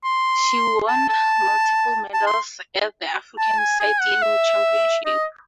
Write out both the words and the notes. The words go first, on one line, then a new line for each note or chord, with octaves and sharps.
She won multiple medals at the African Cycling Championships.
C6
A5
A5
A5
C6
A5
G#5
G#5
F#5
E5
D#5